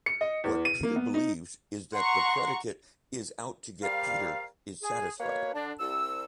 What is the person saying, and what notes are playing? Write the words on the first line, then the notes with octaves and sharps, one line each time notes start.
What Peter believes is that the predicate 'is out to get Peter' is satisfied.
C#7
D#5
E2
D#7
A#3
B3
D#4
F#5 A#5 C6 C#6
G3 A#4 C5 D5 F5
G#4
B2 A#3 B4 C#5
D3 D4
C2 E6